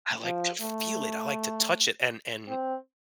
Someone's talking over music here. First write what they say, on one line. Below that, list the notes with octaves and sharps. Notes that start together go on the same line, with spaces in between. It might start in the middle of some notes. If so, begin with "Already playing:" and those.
I like to feel it, I like to touch it, and and
F3
A3
C4